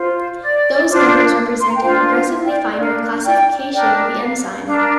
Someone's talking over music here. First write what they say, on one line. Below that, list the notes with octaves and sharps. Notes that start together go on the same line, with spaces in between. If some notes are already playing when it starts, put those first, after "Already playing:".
Those numbers represent a progressively finer classification of the enzyme.
Already playing: F4 C5
D5
D4 F4 C5
C6
A#5
G5
D4 F4 C5 F5
F5
D5 G5
D5
D4 A#4 F5
D5 G5
D4 A#4 D5 G5
F5
D4 A#4 F5